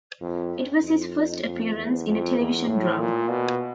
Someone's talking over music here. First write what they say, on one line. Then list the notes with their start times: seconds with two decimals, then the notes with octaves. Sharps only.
It was his first appearance in a television drama.
0.21 F2
0.82 F2
1.45 F2
1.75 E2
2.07 F2
2.38 E2
2.68 A2
3.00 A#2
3.30 B2